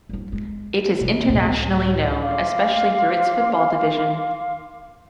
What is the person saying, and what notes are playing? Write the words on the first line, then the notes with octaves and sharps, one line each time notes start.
It is internationally known, especially through its football division.
G3 F4
G#3
B2 D#3
C#2 A2
F5 C6 D6